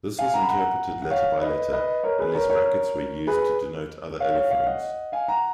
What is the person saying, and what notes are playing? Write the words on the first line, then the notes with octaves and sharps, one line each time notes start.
This was interpreted letter-by-letter unless brackets were used to denote other allophones.
F5 G#5
F#5 A#5
B5
F#5 A#5
F#5
C#5 F5
B4 D#5
B4 D#5
A#4 C#5
G#4 B4
A#4 C#5
A#4 C#5
G#4 B4
C#5 F5
C#5 F5
C#5 F5
D#5 F#5
F5 G#5
F#5 A#5